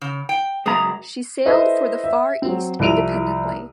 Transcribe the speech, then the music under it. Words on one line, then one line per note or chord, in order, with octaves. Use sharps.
She sailed for the Far East independently.
C#3
G5
C#2 F#2 G#4 A#5
E4 A4 B4 C5 D#5 E5
E5
F#3 C4
C2 F3 E4 D7 D#7 F7